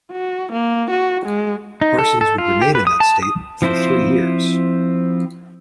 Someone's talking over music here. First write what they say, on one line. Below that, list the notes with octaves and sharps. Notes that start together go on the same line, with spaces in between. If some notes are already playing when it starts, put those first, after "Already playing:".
Parsons would remain in that state for three years.
F#4
A#3
F#4
G#3
D#4
A4
A4
F4
G4
B4
D#6
A5
D#6
F3 C4 E4 F4 C5